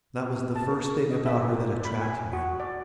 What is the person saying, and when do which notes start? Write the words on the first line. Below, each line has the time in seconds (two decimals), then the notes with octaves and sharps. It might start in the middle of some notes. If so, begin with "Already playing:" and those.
That was the first thing about her that attracted me.
0.56 A5
0.71 A#4
1.11 D#5
1.26 E5
1.44 G4
1.69 D5
1.85 B5
2.02 G#5
2.33 F#4
2.60 D5